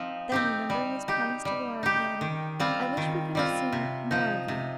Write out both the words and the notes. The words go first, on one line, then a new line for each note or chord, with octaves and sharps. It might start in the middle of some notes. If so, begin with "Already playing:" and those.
Then remembering his promise to Laura, he added, 'I wish we could have seen more of you.
Already playing: F3 C4 D#4
C4 D#4 G4
G3
D#4 G4
G3
D#4 G4
D#3
G3 C4 F4
D#3
G3 C4 F4
C3
F3 D#4
C3